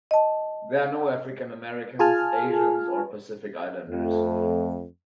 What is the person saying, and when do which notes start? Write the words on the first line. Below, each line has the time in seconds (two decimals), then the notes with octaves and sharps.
There are no African Americans, Asians, or Pacific Islanders.
0.11 D#5 A5
1.99 F4 G#4 G#5 A5 F6
3.90 F2 A3